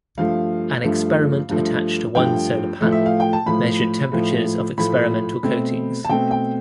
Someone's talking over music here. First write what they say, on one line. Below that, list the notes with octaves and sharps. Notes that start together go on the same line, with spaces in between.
An experiment attached to one solar panel measured temperatures of experimental coatings.
G2 F3 A3 F5
G2 F3 A3
G2 F3 A3
G2 F3 A3 G5
A2 F3 A3
E5
F5
G5
A5
A2 F3 A3 B5
A2 F3 A3
A2 F3 A3 B5
B2 A3 C4
A5
B2 A3 C4 G5
G5